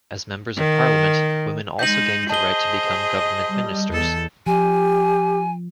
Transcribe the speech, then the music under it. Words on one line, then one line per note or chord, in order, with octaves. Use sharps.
As Members of Parliament, women also gained the right to become government ministers.
D#3
G#3 D#4 G6 F#7
G#4 C5 D#5 A5 G7
G3
E2 A4
F3 G4 G#5